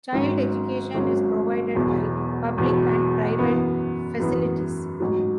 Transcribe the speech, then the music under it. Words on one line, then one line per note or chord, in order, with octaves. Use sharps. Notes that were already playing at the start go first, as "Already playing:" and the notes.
Child education is provided by public and private facilities.
G#1 G#2 F#3 C#4
G#1 G#2 F#3 C#4
E1 E2 B2 F#3
E1 E2 B2 F#3
F#2 E3 B3
F#2 E3 B3
A1 G#2 F#3